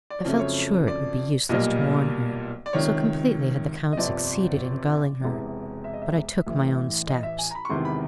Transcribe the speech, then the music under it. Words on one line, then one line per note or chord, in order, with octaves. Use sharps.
I felt sure it would be useless to warn her, so completely had the Count succeeded in gulling her; but I took my own steps.
D5
C#5
F2 C#3 F#3 A3
C#5
D5
B1 A#2 G3 A#3 D#5
D5
C#2 C3 D#3 C#5
D#5
G1 F2 C3 D5
E1 E2 C3
E5
D#5
E5
A1 A2 E3
D#5
E5
G#5
A#5
B5
C#6
E1 E2 C3 D#3 C6
B5